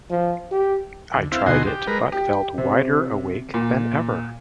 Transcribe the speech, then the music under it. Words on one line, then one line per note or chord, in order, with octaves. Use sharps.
I tried it, but felt wider awake than ever.
F3
G4
D2
C4 E4 F5
D2 B2 D#4 F#4 G#5 C6
G4
G#3 A#4 B4
G4
C3
A#2